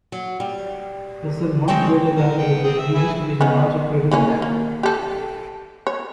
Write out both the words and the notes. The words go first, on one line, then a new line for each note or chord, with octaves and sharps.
Less than one crater diameter to the east is the larger crater Bragg.
F#3
G3
G#3 C4 C5 C#5 G5
A4 A#4
B3 G5
C4 G5 D#6
E5
B4 E5 G#5
D#3 B3 C#4
E3 A#3 C#4
A#3
G4 A4
C#5